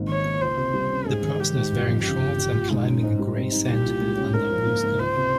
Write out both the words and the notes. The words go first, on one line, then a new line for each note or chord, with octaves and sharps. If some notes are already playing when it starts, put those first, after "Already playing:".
The person is wearing shorts and climbing a gray sand hill under a blue sky.
Already playing: G#1 G#2 A#3
D#3 C#5
A#3
C#2 C5
C3
G3
C#4
G#2 G#4
D#3
G#3 G4
G#2
G1
F2
C#3 G4
G1
A#1
A#2
G#3 D#4
C#4
G#2
G3
C4
D#4
C2 G4
A#2
G#3
C#4
G#2 A#4
F3
A#3
G#2
C#2 C5
C3